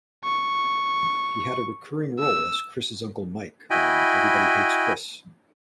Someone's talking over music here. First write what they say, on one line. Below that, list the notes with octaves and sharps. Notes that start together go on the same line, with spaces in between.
He had a recurring role as Chris' Uncle Mike, on "Everybody Hates Chris".
C#6
E6
E4 F#4 D#5 G5 G#5 B5